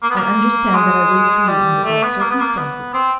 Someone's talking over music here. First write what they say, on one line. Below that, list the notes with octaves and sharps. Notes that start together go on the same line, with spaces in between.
"I understand that I wait for you under all circumstances?"
A#3
B3
A#3
G#3
G3
A3
B3
A#3
B3
A#3
B3
C4